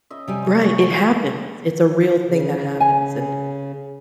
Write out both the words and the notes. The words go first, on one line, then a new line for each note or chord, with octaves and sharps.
Right, it happen. It's a real thing that happens. And,
C#3 D#5 E5
C3 G3 G#5
G#3
C#5 F#5 C#6
C#3
G#5